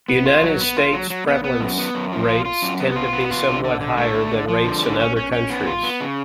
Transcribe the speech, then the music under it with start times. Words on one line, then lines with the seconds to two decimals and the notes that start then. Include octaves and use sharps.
United States prevalence rates tend to be somewhat higher than rates in other countries.
0.08 B3
0.26 F4
0.43 F#3
0.60 B3
0.77 F4
0.93 F#3
1.10 F#3
1.27 B3
1.44 B3
1.61 F#2
1.78 B3
1.95 F#2
2.12 F3
2.29 F4
2.45 F4
2.62 F#2
2.80 B3
2.96 F4
3.13 B3
3.30 F4
3.48 D3
3.64 D3
3.81 D3
3.97 A3
4.14 D3
4.31 D3
4.48 F3
4.65 D3
4.82 C#4
4.99 C#4
5.16 C#4
5.32 C#4
5.50 B3
5.67 F4
5.83 B3
6.01 C#3